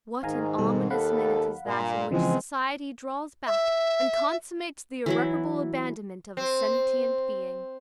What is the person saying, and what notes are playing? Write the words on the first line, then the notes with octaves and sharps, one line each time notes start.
What an ominous minute is that in which society draws back and consummates the irreparable abandonment of a sentient being!
G#2 D#3 F5 G#5 A#5
B2 G3 A4
D#2 A4 F5 F#5 B5
G2 A#2
C#3 E3 F3 G#3 C4
E5
E3 F#3 E4
C4